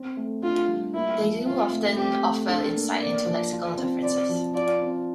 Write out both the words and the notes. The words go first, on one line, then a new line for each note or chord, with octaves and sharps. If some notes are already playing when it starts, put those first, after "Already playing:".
They do often offer insight into lexical differences.
Already playing: C4
A3
D4 F4
G3
A#3 E4
F3
C4 F4
A3
C4 G4
A3
D4 A4
A#3
A#3 D5
F3
F4
C4
C4 D5
F3
F4 D5
C4